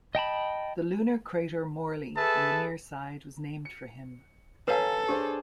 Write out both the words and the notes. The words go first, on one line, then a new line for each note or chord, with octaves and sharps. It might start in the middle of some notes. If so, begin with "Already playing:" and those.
The lunar crater Morley on the near side was named for him.
D#5 G5 A5 B5
G#4 A4 B4 E5 A5
C#7
A4 B4 C#5 F5 G#5 A#5 C7
D4 G4 G#4 C5